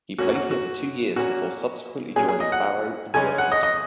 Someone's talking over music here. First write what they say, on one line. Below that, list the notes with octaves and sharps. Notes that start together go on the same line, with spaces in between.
He played here for two years before subsequently joining Barrow and Workington.
F#2 F#3 A#3 C#4 F#4
F#4
F#4
A#2 A#3 C#4 F#4
A#2 F#3 C#4 G#4
G#4
D#5
F#5
C#3 G#3 C#4 G#5
F#5
D#5
D#5